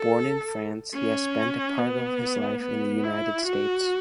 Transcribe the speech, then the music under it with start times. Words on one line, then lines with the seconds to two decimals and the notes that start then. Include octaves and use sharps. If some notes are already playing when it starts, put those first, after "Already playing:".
Born in France, he has spent a part of his life in the United States.
Already playing: A4
0.95 C#4
1.78 B3
2.63 B3
3.04 E4
3.46 F#4